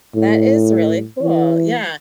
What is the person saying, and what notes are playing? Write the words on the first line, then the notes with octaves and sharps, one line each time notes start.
That is really cool, yeah.
A2
E3